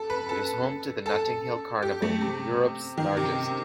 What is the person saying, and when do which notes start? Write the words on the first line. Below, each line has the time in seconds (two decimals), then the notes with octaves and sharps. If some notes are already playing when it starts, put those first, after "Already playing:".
It is home to the Notting Hill Carnival, Europe's largest.
Already playing: A4
0.10 B4
0.29 A4
1.06 A4
1.82 G4
2.02 A3
2.21 C3
2.98 D#3
3.17 C3